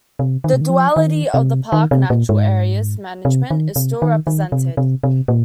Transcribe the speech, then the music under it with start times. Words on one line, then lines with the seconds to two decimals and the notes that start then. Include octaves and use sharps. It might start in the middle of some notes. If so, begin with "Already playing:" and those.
The duality of the park-natural area's management is still represented.
0.19 C3
0.44 D#3
0.53 C3
0.61 D#3
0.70 F3
0.96 D#3
1.34 C3
1.72 D#3
1.91 C3
2.10 A#2
2.29 G#2
3.25 C3
3.51 D#3
3.76 C3
4.02 D#3
4.27 D#3
4.52 C3
4.77 C3
5.03 C3
5.28 A#2